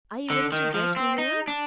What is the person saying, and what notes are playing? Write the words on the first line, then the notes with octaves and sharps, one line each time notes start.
"Are you ready to dress me now?"
D3
D#3
F3
C4
D#4
D4